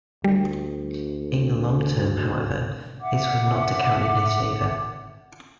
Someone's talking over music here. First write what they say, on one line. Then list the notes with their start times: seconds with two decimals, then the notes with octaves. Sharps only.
In the long term, however, this was not to count in his favour.
0.24 D2 G3
3.00 E5 F#5 D6